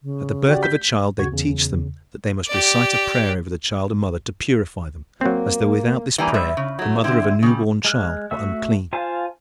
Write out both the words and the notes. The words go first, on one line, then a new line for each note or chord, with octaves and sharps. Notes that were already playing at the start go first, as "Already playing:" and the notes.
At the birth of a child they teach them that they must recite a prayer over the child and mother to purify them, as though without this prayer the mother of a newborn child were unclean.
C#3
F#4 G4 D5
G6 B6
D#2 C#3 F#4 C#6 G#6
E2 C#3
G4 D5
F#3 A#3 C4
E3 G3 A#3 G#5 A#5
F3 G3 E5
C#3
F#3 A3
D3 C4 E4
C#3 G3
G#3 F6 F#6
A3 F#4 E5 E6
F4 C5 F5 G#5 A5